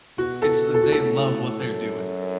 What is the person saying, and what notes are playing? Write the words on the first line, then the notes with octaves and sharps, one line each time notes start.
It's they love what they're doing.
B2 F#4
A4
A4
F#4
A2 A4
F#2